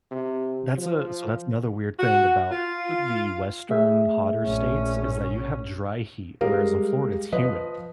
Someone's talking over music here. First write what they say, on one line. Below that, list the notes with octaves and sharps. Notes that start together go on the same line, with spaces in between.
That's a so that's another weird thing about the Western hotter states is that you have dry heat, whereas in Florida, it's humid.
C3
F3
F#4
F4
A3 G#4 E5
A#1 C#4
G3 G#3 A#4 F5
F3 B4 D#5